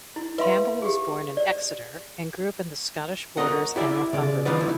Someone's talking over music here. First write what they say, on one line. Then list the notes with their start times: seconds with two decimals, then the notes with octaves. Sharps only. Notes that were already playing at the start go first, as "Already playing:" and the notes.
Campbell was born in Exeter and grew up in the Scottish Borders and Northumberland.
0.16 E4
0.38 B4 E5 F5 C6
0.82 G4 G#4
1.37 D5
3.37 A#4 B4 C#5 D#5 F#5
3.76 E4 G4 D5 E5
4.13 C#3 D5
4.45 D#3 F3 F#3 D#4 B4 D5
4.60 D2 E4